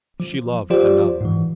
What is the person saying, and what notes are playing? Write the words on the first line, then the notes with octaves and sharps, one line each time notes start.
She loved another.
F3
F3 F4 G4 C5 D5
G#2 E3